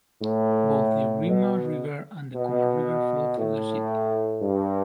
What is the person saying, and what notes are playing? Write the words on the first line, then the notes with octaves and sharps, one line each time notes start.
Both the Iruma River and the Koma River flow through the city.
A2
B2
B2
A2
G2